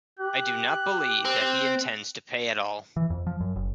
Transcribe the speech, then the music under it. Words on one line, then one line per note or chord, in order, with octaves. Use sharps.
I do not believe that he intends to pay at all.
G4 F#6
C4
E3
F2
F3
F#2
F#1